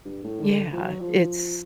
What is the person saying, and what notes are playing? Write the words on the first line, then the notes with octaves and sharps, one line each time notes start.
Yeah, it's
G2
A2
D#3
D3
F3
F#3
F3